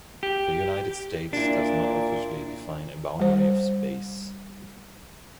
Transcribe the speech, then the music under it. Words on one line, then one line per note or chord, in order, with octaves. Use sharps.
The United States does not officially define a "boundary of space".
G4
A#2 D4 E4
G3 C5